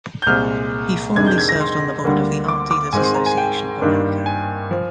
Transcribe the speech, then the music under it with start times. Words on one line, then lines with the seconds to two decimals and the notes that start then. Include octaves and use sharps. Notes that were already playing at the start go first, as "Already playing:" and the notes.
He formerly served on the board of the Art Dealers Association of America.
0.22 G6
0.26 C2 A#2 G#3 C4 F6
1.15 F2 C3 D#3 G#3 D4 G#6
1.26 G6
1.38 G#6
1.49 A#6
1.61 C6
2.04 D2 D3 G3 A#3 D4
2.48 D6
2.71 D6
2.93 G#2 D#3 G#3 C4 G#5
3.04 C6
3.15 A#5
3.26 G#5
3.38 G5
3.81 G2 D#3 A#3 D4
4.26 G#5
4.71 F3